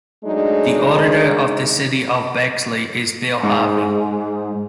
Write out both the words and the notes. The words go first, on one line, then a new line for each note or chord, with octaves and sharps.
The Auditor of the City of Bexley is Bill Harvey.
F#3 G#3 A3 D4 D#4
G#2 G#3